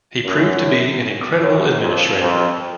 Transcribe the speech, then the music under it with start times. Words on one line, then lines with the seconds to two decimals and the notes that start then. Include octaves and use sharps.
He proved to be an incredible administrator.
0.25 F#2
1.41 F#2
1.81 F2
2.20 F2